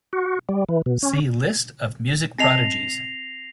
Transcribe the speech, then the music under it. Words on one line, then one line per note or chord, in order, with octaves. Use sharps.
See List of music prodigies.
F#4
G3
E3
B2
C#4
C4 D#5 A5 A#6 C7 F7